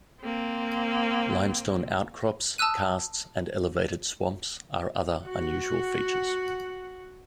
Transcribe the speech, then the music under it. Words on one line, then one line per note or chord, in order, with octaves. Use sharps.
Limestone outcrops, karsts and elevated swamps are other unusual features.
A#3 C4
A5 D#6 E6 F#6 D#7
F#4 F#5